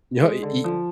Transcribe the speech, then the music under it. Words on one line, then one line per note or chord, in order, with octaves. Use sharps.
No, e e
G#3
D3
F3